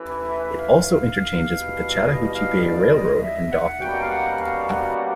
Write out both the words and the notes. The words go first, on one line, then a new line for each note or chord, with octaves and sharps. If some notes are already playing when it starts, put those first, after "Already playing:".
It also interchanges with the Chattahoochee Bay Railroad in Dothan.
Already playing: A1 A2 E3
E5
F5
E2 B2 G3
D#5
F5
D5
D#5
E5
F#5
B2 G3 A#3 C#4 F#4 G5
F5
F#5
F5
F5
F#5
F#5